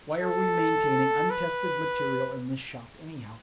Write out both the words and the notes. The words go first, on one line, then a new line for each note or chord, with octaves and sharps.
Why are we maintaining untested material in this shop, anyhow?
A4
B4